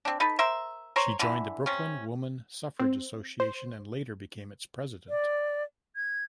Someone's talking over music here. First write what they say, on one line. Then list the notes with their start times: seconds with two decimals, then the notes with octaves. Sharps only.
She joined the Brooklyn Woman Suffrage Association and later became its president.
0.05 C4 D4
0.20 D#4 A4 B4
0.39 A#4 C5 E5
0.96 A#4 C5 C#5
1.19 D3 E3
1.66 C3 C#4
2.79 C4
3.40 C5
5.09 D5
5.96 G#6